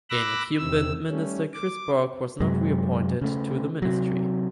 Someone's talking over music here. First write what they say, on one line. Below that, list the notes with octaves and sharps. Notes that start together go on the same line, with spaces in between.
Incumbent minister Chris Bourke was not reappointed to the Ministry.
B5 D6 E6 F#6 A#6
E2 C3 D#3 E6
G3 A3 C#4
D6
F#2 C3 F#3 G#3
C#3 A3
C3 F#3